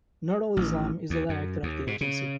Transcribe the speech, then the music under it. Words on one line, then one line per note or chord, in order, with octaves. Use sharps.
Nurul Islam is the Director of the agency.
A1
D#2
F#2
D#2
G#2
C#3